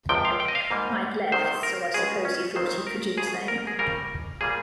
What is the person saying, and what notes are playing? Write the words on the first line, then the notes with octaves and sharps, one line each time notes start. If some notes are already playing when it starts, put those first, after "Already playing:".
I'd left so I suppose he thought he could do the same.
C#2 C3 F3 G5
F5
G5
D#5
F5
G#2 G3 A#3
C2 C3 D#3 C5
A#4
C#2 C#3 G#3 G#4
C#4
D#2 D#3 G#3 C4 C5
A#4
D#2 C#3 F3 G#4
A#4
G#4
F2 C#3 G3 A#4
A#2 G3 A#3 G#4